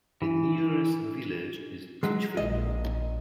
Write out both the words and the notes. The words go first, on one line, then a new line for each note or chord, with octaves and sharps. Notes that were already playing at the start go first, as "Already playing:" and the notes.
The nearest village is Titchfield.
E3
F#3 G#3
A#1 D#5